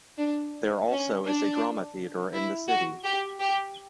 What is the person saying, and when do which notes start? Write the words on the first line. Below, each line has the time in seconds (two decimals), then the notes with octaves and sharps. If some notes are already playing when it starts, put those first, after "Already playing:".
There also is a drama theater in the city.
0.18 D4
0.90 C#4
1.26 D4
2.33 E4
2.68 F#4
3.04 G4
3.40 G4